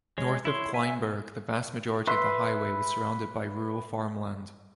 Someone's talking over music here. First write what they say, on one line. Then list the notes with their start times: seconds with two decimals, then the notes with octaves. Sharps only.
North of Kleinburg, the vast majority of the highway was surrounded by rural farmland.
0.18 G#3 C#5
0.45 E4 C#5 C6
0.74 E5 G#5
2.07 B4 E5 C6